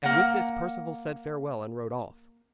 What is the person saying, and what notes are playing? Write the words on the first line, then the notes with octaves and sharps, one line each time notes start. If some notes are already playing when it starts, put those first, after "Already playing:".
And with this Perceval said farewell and rode off.
A#3 F#5